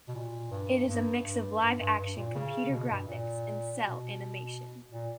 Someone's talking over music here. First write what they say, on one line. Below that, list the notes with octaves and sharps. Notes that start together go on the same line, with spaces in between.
It is a mix of live-action, computer graphics, and cel animation.
B2
A#2
G2
G2
G2
G2
G2
G2
A#2
C#3
B2
G2
A#2
B2
A#2